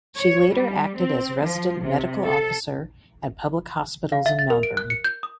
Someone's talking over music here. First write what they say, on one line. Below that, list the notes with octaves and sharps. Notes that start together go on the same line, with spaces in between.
She later acted as resident medical officer at public hospitals in Melbourne.
C#5
G3
C4
F3
C3
A4
F5
E5
A6
A#4
D7
F#6
C#7
G6
D#6